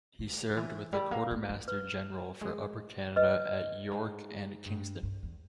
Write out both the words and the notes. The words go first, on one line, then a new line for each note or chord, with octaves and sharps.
He served with the Quartermaster-General for Upper Canada at York and Kingston.
D#3
E3
G3 A#4
A#3
A#3
G3
B4
G#3
G2 B4 D#5
G#2
G2
G2
E2